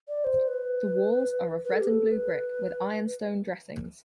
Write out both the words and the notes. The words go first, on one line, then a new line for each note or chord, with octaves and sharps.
The walls are of red and blue brick with ironstone dressings.
D5
C5
B4
B4
A4
G4
A4
B4